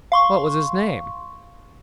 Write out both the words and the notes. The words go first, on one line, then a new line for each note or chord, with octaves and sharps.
"What was his name?"
F5 C6 C#6